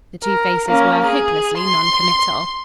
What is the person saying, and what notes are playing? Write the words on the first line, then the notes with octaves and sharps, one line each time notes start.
The two faces were hopelessly non-committal.
A#4
A#3 C#4
G#4
C6